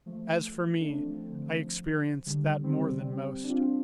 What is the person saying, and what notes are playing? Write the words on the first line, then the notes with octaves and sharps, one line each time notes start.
As for me, I experienced that more than most.
F3 A3
A3 D4
C4
F3 A3
D3
F3
D3 G3
G3 C4
G3 C4
D4
C4 F4